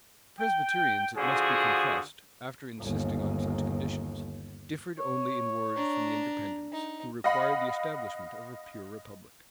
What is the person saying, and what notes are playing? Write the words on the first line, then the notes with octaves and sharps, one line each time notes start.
The Presbyterians, it must be confessed, after insisting on such conditions, differed only in words from the Independents, who required the establishment of a pure republic.
G5
D3 F3 F#4 G#4
G1 D#2
C#5
D4 A#5
D#4
D#5 F5 F#5 B5